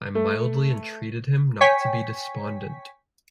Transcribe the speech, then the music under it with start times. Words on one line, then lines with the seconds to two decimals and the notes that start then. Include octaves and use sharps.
I mildly entreated him not to be despondent.
0.15 A3
1.61 C#5 G5 G#5 C#6 B6